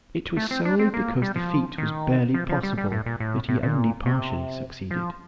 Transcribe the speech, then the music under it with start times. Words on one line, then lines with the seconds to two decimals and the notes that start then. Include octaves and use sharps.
It was solely because the feat was barely possible that he only partially succeeded.
0.37 A3
0.51 C4
0.65 D4
0.79 C4
0.94 A#3
1.22 G3
1.36 F3
1.78 D#3
2.34 F3
2.49 F3
2.63 G3
2.78 G3
2.92 A2
3.06 A#2
3.20 A2
3.48 A2
3.63 A#2
4.06 C3
4.91 F3